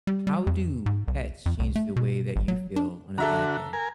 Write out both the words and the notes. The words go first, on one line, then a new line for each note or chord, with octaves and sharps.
how do pets change the way that you feel on a bad day?
G3
G3
F2
G#2
C2
F2
C2
A3
B2
G#1
F#3
D4
D3 F#4 A4 E5 A#5
A#4 G#5